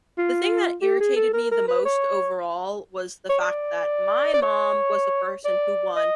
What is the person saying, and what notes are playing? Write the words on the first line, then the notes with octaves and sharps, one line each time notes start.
The thing that irritated me the most, overall, was the fact that my mom was the person who won.
F4
G4
G#4
A4
A#4
A#4
B4
C#5
C#5
D5
D5
C#5
D5
D#5